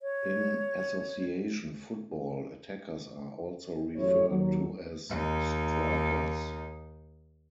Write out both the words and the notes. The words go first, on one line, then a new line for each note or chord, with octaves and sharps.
In association football, attackers are also referred to as strikers.
C#5
A1 F#2 C#3 F#3 E4 C#5
D#2 F#3
D#2 D#4